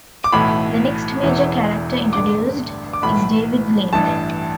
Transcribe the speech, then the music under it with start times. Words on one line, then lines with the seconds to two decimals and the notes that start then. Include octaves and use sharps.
The next major character introduced is David Lind.
0.24 D6
0.33 B1 A2 E3 B5
1.23 E1 E2 E3
2.13 A1 G2 D3 D6
2.93 D6
3.02 B1 A2 E3 B5
3.93 A1 G2 E3 A5